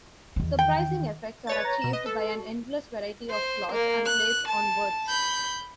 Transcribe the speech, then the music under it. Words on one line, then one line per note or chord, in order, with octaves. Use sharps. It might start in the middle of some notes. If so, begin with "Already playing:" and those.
Surprising effects are achieved by an endless variety of plots and plays on words.
E2 D#3
G5
B4 C#5 D5 A6
A#5
B2 E7
B4 D#5
A4
F#4
C5
A#3
F#6
A5
B5 G6